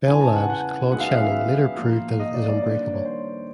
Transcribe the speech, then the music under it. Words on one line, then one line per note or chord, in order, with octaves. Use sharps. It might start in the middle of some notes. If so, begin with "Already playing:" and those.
Bell Labs' Claude Shannon later proved that it is unbreakable.
E2 C#3 E3 G#5
A5
F#5
F#5
F#2 D#3 G#3 B3 F#5
F5
E5
F5
A#2 F3 A#3
D#5
D5
D5
G2 D#3 G3 A#3 D5
C#5
C5